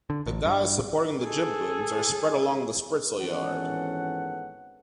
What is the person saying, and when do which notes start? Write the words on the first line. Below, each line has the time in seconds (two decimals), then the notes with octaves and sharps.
The guys supporting the jib-booms are spread along the spritsail yard.
0.10 D3
0.26 A1
0.45 G2
1.22 G#4 A4
3.18 G#1 E3 B3 C#4 A4 F#5